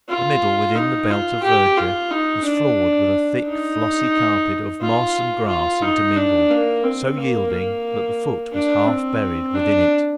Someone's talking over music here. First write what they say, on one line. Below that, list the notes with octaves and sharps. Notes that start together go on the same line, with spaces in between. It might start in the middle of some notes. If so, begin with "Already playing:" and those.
The middle within the belt of verdure was floored with a thick flossy carpet of moss and grass intermingled, so yielding that the foot was half-buried within it.
F4
D#4
F4
G4
F4
D#4
D4
D#4
F4
F4
D#4
D4
A#3
C4
A#3
A#3
D4
C4
D4